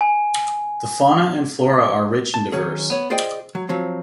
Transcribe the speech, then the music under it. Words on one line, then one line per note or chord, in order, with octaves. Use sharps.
The fauna and flora are rich and diverse.
G#5
A5
D#3 F#3 C#4 G#4
B3 C#5
F4 G#4 C5 D5 D#5 G5
F#3
F3 F#3 C4